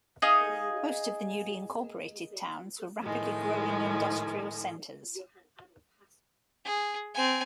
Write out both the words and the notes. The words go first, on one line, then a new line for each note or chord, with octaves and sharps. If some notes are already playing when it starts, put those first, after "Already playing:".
Most of the newly incorporated towns were rapidly growing industrial centres.
D#4 G#4 D#5 F5
A2 D#3 F3 G#3
G#4
C4 G#5